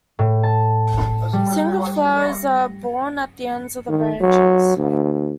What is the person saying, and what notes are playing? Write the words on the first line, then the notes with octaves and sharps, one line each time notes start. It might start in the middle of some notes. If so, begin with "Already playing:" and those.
Single flowers are borne at the ends of the branches.
A2
A5
G3
A#6
D#3
F#3
D2